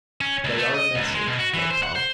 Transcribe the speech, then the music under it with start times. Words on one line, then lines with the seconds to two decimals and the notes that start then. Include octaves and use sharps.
"But they are a message," spoke Tom.
0.21 C#4
0.44 C#2
0.57 A3
0.74 D#5
0.95 C#2
1.15 G#3
1.28 B2
1.39 F#4
1.54 E3
1.70 C5
1.83 F#5
1.95 C5